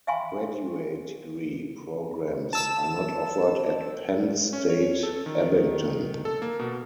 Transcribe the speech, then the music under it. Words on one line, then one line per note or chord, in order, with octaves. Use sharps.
Graduate degree programs are not offered at Penn State Abington.
E5 F5 G5 G#5 B5 C6
A5 E6 E7
C#4
C#5
A4
D#3
A4
A#3
B2